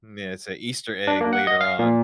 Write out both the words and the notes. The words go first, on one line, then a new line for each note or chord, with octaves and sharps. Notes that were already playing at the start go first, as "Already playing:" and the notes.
Yeah. It's a Easter egg later on.
D4
A#3
F#5
D#5
F5
A#2